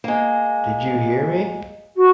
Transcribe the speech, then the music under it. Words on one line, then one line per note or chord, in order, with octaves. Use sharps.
Did you hear me?
G#3 A#3
F#4